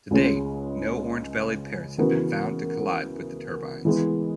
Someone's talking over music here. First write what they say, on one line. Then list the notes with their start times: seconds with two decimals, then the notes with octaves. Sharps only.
To date no orange-bellied parrots have been found to collide with the turbines.
0.11 C#2 C#3 G#3 C#4
1.98 C#3 E3 B3 F#4 A#4
3.85 E3 G#3 B3